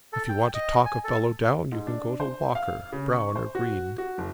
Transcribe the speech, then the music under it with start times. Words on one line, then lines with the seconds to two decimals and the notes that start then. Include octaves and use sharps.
If you want to talk a fellow down you can go to Walker, Brown, or Green.
0.13 A4
0.29 G5
0.54 D#5
0.86 G#5
1.04 A4
1.72 G#2
1.87 D4
2.20 C5
2.55 F5
2.93 C#3
3.13 C#6
3.35 C5
3.55 F#4
3.98 F#4
4.18 F#1